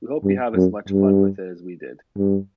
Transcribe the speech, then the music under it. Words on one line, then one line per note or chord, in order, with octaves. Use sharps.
We hope you have as much fun with it as we did.
G2
F#2
G2
G2